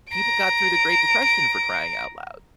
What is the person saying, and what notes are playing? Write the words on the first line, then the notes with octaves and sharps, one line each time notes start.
people got through the great depression for crying out loud.
A#5 D7